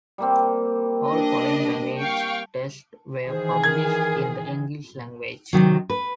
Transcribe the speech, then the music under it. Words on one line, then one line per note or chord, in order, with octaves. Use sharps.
All foreign language texts were published in the English language.
G3 A#3 C4
D4 D#5
F5 G5 C#6
D#3 E3 G#4 C5
A#4 G#6
C3 D#3 F#3
B4